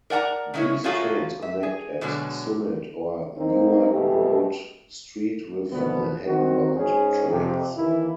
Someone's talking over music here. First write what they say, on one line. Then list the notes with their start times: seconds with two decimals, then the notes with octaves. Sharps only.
These trains connect at Summit or Newark Broad Street with Manhattan-bound trains.
0.10 A#4 D5 F#5 A5 A#5
0.54 C#3 G#3 C#4 E4 C#5
0.84 A3 A#3 C#4 F4 F#4 G#4
1.42 E5
1.63 G#4
2.01 B2 D3 F#3 G#3
3.37 A#3 C4 D#4
3.91 B2 G#3 A3 G4
5.71 G#1 D2 B2 F3 B3
6.27 D#3 C4 F#4
6.76 G#2 C#4 G#4
7.30 F2 C3
7.76 D#2 E3 A#3 E4